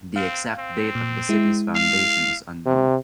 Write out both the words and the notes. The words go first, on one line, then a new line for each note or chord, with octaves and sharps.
The exact date of the city's foundation is unknown.
C4 F5
C4
A#2
G#3 E4
F5
C3